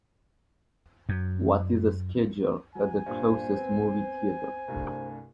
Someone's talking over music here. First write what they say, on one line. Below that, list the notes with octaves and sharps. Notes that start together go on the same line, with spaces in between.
What is the schedule at the closest movie theatre?
F#2
F#3 G#5
G2 A#2 C5
B3 C4
C2 G2 A3